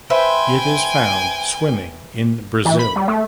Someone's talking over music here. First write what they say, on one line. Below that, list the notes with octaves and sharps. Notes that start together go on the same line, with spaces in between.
It is found swimming in Brazil.
B4 C5 E5 G5 G#5
E3
B5
G3
A3